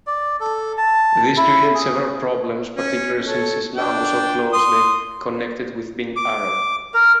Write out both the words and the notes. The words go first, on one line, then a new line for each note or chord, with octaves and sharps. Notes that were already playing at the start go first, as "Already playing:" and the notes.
This created several problems, particularly since Islam was so closely connected with being Arab.
D5
A4
A5
E4
G#4
C#4
A4 C#5
D4 G5
C6 D#6
D6
A#4